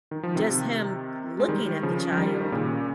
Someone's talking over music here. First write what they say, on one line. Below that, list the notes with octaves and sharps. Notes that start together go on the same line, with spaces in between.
Just him looking at the child
D#3
F3
C3 D#3
G#3
D#3 G3
C#3 F3
F3
D#3 G3
D#3
A#2 C#3